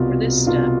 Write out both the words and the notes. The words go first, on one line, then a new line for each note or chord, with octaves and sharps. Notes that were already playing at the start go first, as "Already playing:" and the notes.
For this step.
Already playing: C2 B2 F4
C2 B2 F4